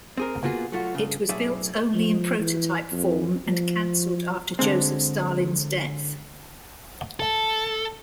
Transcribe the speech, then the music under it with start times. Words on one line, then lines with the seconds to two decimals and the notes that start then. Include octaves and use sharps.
It was built only in prototype form, and cancelled after Joseph Stalin's death.
0.17 C4 G#4 A#4
0.43 A#3 B3 F4 F#4 G#4
0.72 F#3 A3 F4 F#4
0.95 G2 C#3
1.29 B1 F#2 A2 G#4 D5 E5
1.94 F3
2.40 E3
2.91 F2
3.47 F3
4.59 D3 G#3 C4
7.20 A4